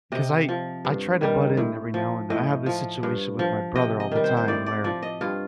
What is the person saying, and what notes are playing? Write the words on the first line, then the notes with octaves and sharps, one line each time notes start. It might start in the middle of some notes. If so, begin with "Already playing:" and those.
'cause I I try to butt in every now and then. I have this situation with my brother all the time where
C3 D#5
F3
G2
D#3 G3
A2
F3
A2 D#5
F3
G2
F3
C3 D#5
D#5
D#3 G3
C5
C5
A2 D5
D5
F3 D5
D#5
G2 F4